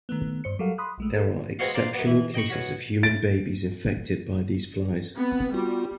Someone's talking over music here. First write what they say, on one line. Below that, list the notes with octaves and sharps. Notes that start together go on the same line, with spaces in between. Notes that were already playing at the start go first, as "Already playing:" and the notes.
There are exceptional cases of human babies infected by these flies.
D#3 A3 B3
G2 C5 C#7
F#3 G3 A4 A#4 F5 F#5
B5 C6 D#6 F#6
A#1 G#3 A3
A4
G#3 B3 C4 F#4 D#5 F5
C5 D5 F5 A#5
F#2 B3
E3 E5
D#5 G5 B5 C#6
B2 C#4 F#4
A6 D7
B3 C4
G3 B3 F4 F#4